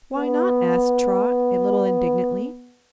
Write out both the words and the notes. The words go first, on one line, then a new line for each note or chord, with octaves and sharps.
"Why not?" asked Trot, a little indignantly.
B3